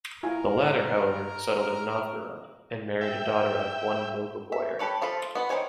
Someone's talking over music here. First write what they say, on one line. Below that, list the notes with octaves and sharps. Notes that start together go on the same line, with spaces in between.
The latter, however, settled in Novgorod and married a daughter of one local boyar.
E4 F4 A#4 G#5
E5 G5
E5
G4 A4 B4 C#5
F3 F4 A4 B5
B3 F#4 B4
D#3 F#4 C5 C#5 G#5